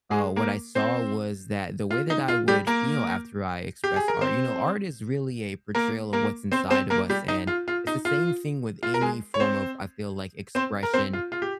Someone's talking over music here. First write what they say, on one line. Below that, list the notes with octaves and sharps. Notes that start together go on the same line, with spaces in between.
uh, what I saw was that the way that I would feel after I express art you know, art is really a portrayal of what's inside of us, and it's the same thing with any form of, I feel like, expression.
G#3 G#4
A#3 A#4
C4 C5
F4
D#4
F4
G3 G4
A#3 A#4
G4
G#4
A#4
C4 C5
A#3 A#4
A#3 A#4
C4 C5
C4 C5
A#3 A#4
G3 G4
D#4
F4
F4
D#4
F4
F4
A#4
G#3 G#4
C#5
C4 C5
C4 C5
A#4
C4 C5
F4
F4
G4